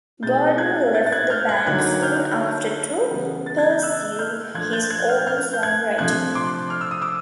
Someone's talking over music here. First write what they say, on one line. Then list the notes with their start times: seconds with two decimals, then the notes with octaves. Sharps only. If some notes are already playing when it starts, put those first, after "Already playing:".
Gordon left the band soon after to pursue his own song writing.
0.23 B2 G#3 C4 D#4 G6 A6
0.58 F#6 G#6
0.95 G6 A6
1.06 A6
1.12 F#6 G#6
1.30 F6 G6
1.49 F#6 G#6
1.66 D3 F#3 A#3 D#4 F#6 G#6
2.02 F6 G6
3.11 C#3 E3 G3 B3
3.46 A6
3.58 G#6
3.70 G6
3.82 E6 F#6
4.19 F6 G6
4.54 F3 A3 D4 F#6 G#6
4.72 G6 A6
4.91 F#6 G#6
5.09 F6 G6
5.27 F6 G6
5.53 G6
5.63 F#6 G#6
5.98 C3 F3 A3 D4 F#6 G#6
6.35 C6 D6
6.70 F6
6.81 E6
6.91 D#6
7.02 D6 E6